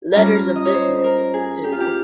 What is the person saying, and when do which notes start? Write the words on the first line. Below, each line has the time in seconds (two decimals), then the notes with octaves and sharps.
Letters of business, too!
0.13 G2 G3 C#4 F4 A#5
0.56 D#5
0.65 C#5
0.74 C5
1.04 A#4
1.34 G#4
1.64 G4
1.72 F4
1.80 G4